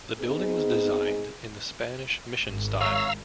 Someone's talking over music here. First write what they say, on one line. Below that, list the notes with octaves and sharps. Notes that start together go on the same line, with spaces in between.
The building was designed in the Spanish Mission style.
B3 C4 D#4 G#4
G#1
C#5 E5 F5 A#5 E6